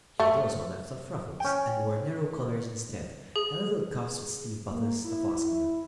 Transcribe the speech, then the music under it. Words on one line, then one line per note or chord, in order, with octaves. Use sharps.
She had also left off ruffles, and wore narrow collars instead, and little cuffs with sleeve-buttons to fasten them.
A3
C#4 G5
G#4
A#3
E4
E4